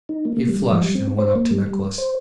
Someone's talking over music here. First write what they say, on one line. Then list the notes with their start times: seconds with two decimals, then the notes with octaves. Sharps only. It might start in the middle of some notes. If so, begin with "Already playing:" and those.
He flushed and went up to Nicholas.
0.09 D#4
0.25 A#3
0.37 A#3
0.48 G3
0.60 G3
0.72 F3
0.83 G3
0.95 C4
1.19 C5
1.35 A#3
1.51 G3
1.66 G3
1.98 C5